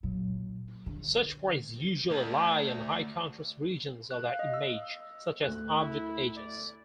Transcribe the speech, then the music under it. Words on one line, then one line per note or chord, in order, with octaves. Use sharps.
Such points usually lie on high-contrast regions of the image, such as object edges.
A#2 F#3
D3
D2
F#6
F5
D#5
E6
D2 F#6
E4
D5